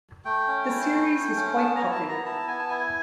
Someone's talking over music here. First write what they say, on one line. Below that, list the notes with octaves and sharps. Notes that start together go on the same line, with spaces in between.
The series was quite popular.
A3 G5
C#4
E4
A3
A3
C#4
B3 A5
A#5
E4
A5
B3
A#5
E4 A5
B3 G#5
A5
E4 G#5